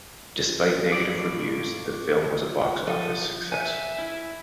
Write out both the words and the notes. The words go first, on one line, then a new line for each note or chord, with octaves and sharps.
Despite negative reviews, the film was a box office success.
F2 A2 D5
F3 A4
E5 G#5
E4